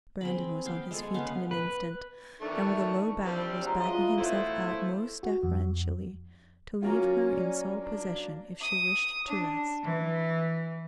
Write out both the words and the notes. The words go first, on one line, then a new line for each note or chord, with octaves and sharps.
Brandon was on his feet in an instant, and with a low bow was backing himself out most deferentially, to leave her in sole possession if she wished to rest.
C4 G#4 B5
B3 F5 G5
G#3 G#4 A4
C#3 B3 B4 F5
B4
D#3 E3 A3 D4 C#6
G3 C4
F#3 G#3 A#5
E3 F4 D#5
A3 B3 E4 C5
F#4
F2
F#3 A#3 C#4 F4 F#4
D5
D4
D#6
D4
E3